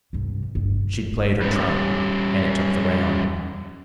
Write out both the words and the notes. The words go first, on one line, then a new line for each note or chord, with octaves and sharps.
She'd played her trump, and it took the round.
G2 C3
G1
G3 C#4